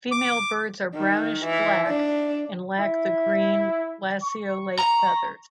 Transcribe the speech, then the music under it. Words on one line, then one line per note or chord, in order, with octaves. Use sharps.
Female birds are brownish black and lack the green lanceolate feathers.
D6
D#3
E3
D4
E4
C#6
A#5